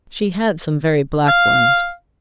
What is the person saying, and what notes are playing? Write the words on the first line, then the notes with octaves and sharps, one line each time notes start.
She had some very black ones.
F5